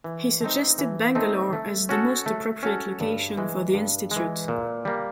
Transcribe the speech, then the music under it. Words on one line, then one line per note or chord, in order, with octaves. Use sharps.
He suggested Bangalore as the most appropriate location for the institute.
E3
A3 C4 D#4
E3
A3 C4 D#4
A3
C#4 F#4 A4
A3
C#4 F#4 A4
G2
E3 G#3
G2
E3 G#3
A#2
G3 A#3